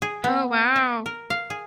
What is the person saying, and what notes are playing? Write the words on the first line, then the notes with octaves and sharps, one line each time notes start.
Oh, wow.
G#4
B3
E5
A#4
F5
G#4